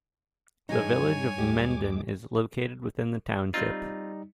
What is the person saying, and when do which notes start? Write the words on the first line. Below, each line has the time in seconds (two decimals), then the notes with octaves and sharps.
The Village of Mendon is located within the township.
0.69 G2 E3 D4 D#4 G#4 C#5 G#5
1.38 D#2 G#3 G4 D6
3.54 G3 C4 D#4 F4